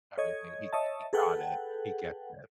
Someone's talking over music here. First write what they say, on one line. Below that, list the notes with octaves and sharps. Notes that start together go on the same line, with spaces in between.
Everything, he he got it. He gets it.
A4 C#5 D#5 G#6
C#5 D#5 E5 A5
G#4 A4 B4 F#5 G5